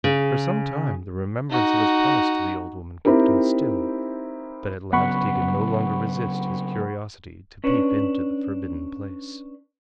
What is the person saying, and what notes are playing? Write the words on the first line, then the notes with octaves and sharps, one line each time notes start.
For some time the remembrance of his promise to the old woman kept him still, but at last he could no longer resist his curiosity to peep into the forbidden place.
C#3
D#4 F#4
C4 D#4 E4 G4 A#4
C#3 F#3 B3 F#5 B5 C#6
C#4 D4 B4